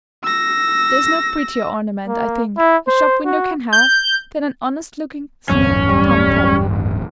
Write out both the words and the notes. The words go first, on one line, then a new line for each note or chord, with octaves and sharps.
There is no prettier ornament, I think, a shop-window can have, than an honest-looking sleek Tom tabby.
E6 A#6
A#3
E4
C5
F#4
G6
D1 A#1 E2 G2 F#3 C#4
G3
A1